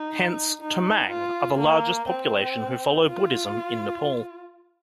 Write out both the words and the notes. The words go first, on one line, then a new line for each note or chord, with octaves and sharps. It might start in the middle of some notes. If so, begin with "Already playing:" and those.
Hence, Tamang are the largest population who follow Buddhism in Nepal.
Already playing: D#4
D#4
F4
A#3
C4
F4